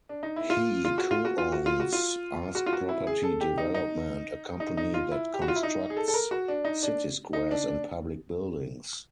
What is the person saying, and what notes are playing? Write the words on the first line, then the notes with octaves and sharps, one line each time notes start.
He co-owns Ask Property Development, a company that constructs city squares and public buildings.
D4
D#4
E4
F4
F4
F#4
F4
F#4
F4
F#4
F4
F#4
F4
F#4
F4
F#4
E4
G#4
A4
G4
D#4
D#4
D#4
D#4
F4
E4
G4
F#4
F4
E4
D#4
G#4
A4
A4
A#4
F#4
D4
D#4
D4
D#4
D4
D4